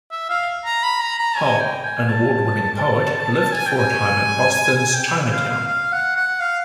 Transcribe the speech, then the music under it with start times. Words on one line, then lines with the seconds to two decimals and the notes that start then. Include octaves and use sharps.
Hull, an award-winning poet, lived for a time in Boston's Chinatown.
0.11 E5
0.29 F5
0.65 A#5
0.83 B5
1.01 A#5
1.19 A#5
1.37 G#5
1.61 G5
1.84 G#5
2.09 A5
3.53 G#5
3.67 G5
3.79 G#5
4.96 G5
5.32 F5
5.51 F5
5.68 F5
5.92 F#5
6.16 F#5
6.40 F5